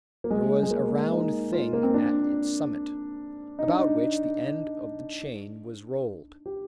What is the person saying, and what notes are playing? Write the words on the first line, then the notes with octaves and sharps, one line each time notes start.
There was a round thing at its summit, about which the end of the chain was rolled.
A#3
G#3
G#3
A#3
D#4
F4
A#3
C4
D4
D#4
D4
D#4
G4